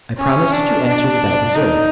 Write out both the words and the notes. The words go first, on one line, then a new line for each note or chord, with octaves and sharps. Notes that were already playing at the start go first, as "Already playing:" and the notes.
I promised to answer without reserve.
C#4
D4
D4
D#4